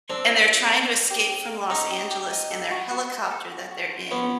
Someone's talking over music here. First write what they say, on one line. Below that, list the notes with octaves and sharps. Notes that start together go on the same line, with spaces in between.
And they're trying to escape from Los Angeles, and their helicopter that they're in
C4 D4 A4
F4
E5
C5
C5
G4
G4
D#5
C#4 D#4 C5
G4
G4
D#5
A4
F#4
F#4
C5
A4
F#4
F#4
C5
B3 C#4 C5